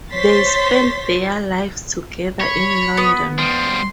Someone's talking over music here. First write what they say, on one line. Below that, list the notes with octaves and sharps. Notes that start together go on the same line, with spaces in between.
They spent their lives together in London.
C5 C#5 C6 A6 B6
C#5 B5
B3 D#6
F3 G3 C6